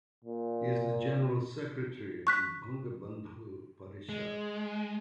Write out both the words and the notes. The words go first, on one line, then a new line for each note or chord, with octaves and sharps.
He is the General Secretary of the Bangabandhu Parishad.
A#2
C#6 F#6 B6
G#3